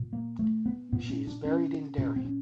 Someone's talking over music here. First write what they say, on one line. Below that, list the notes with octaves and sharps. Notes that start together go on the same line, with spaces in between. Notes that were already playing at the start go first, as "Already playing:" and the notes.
She is buried in Derry.
Already playing: A#2
A#3
A3
B3
A#2 B3
C#4
D4
C#4
A#2 C#4
C4
C#4